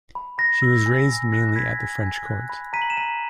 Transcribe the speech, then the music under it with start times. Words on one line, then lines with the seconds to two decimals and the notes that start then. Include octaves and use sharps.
She was raised mainly at the French court.
0.15 B5
0.38 B5 A#6
0.62 E6
0.86 G#5
1.09 G#5
1.32 F#6 A#6
1.56 B5 G#6 B6
1.79 G#5
2.03 G#5
2.26 F#6
2.50 B5
2.73 A#5 B6 D#7
2.82 F#7
2.90 E7
2.97 A#5 B6 D#7